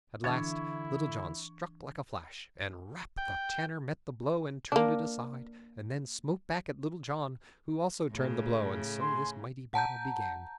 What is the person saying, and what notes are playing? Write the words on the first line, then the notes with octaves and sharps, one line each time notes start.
At last Little John struck like a flash, and--"rap!"--the Tanner met the blow and turned it aside, and then smote back at Little John, who also turned the blow; and so this mighty battle began.
D3 E3 D4 E4 C#6 G#6 A6
G5
A#3 D4
A2 C#3
G#5 B5 C6
F#5 A5 A#5 G6